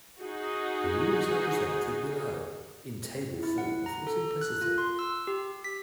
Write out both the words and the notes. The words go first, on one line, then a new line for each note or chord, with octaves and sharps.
The rules are presented below, in table form for simplicity.
D#4 F#4 G#4
E4
F#5
A#5
A4
F#6
F4
C6
E6
G4
B6